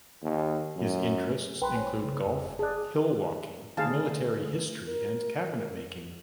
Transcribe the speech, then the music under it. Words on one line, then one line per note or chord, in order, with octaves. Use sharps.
His interests include golf, hill walking, military history and cabinet making.
D#2
F#2
B1 B4 G5 A#5 C6
C5 C#5 G#5
C#3
F2
F1
G#4 D5 A5 F#6
D2 D#3 G#4 F5 A5
A#4